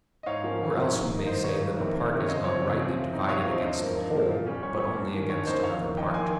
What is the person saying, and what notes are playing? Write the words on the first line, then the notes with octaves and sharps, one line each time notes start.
Or else we may say that a part is not rightly divided against the whole, but only against another part.
D#5
G#2 C#5 F5
F3 A#3 C#4
G#2
F3 A#3 C#4
D#3
A#3 D#4
D#3 C5 D#5
A#3 D#4 C#5
F2
C3 D#3 A#3
F2
C3 D#3 A#3
C#5
C#3 C5 D#5
F3 C4 C#5
C#3 C#5
F3 C4
C3
F3 C4 D#4
C3 C#5 F5
F3 C4 D#4
G2 C5 D#5
F3 A#3
G2
F3 A#3
A#2
G3 C#4
A#2 C#5
G3 C#4 C#5
G2
D#3 A#3 C#4
G2 C#5
D#3 A#3 C#4 C5 D#5
F2 C#5 F5
D#3 A#3
F2 D#5 G5
D#3 A#3 G#5 C6